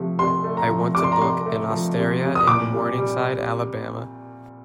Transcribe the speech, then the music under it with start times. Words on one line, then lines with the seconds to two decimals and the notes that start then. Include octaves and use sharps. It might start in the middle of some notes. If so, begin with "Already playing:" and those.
I want to book an osteria in Morningside Alabama.
Already playing: C3 F3 A3
0.19 C3 C6
0.44 A3
0.57 A#5
0.69 F3
0.95 C3 D6
1.04 C6
1.12 A#5
1.21 C3 C6
1.46 A3
1.70 F3
1.97 C3
2.22 C3
2.35 D#6
2.47 A#2 D6
2.73 G3
2.98 G3